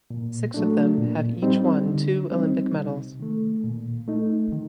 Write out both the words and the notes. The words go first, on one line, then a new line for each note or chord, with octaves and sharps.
Six of them have each won two Olympic medals.
A#2
F#3 A3 D4
A#2
G3 C4 D#4
D3
G3 C4 D#4
C3
D#3 A3
A#2
A3 D#4
D#3